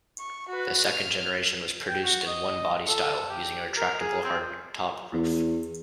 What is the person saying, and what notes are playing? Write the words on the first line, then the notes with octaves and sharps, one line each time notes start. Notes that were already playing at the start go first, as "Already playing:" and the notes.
The second generation was produced in one body style, using a retractable hardtop roof.
C#6
F#4 B4
F6
G5
F#4
D#5
A4
G4
A#4
G#4
C4
E2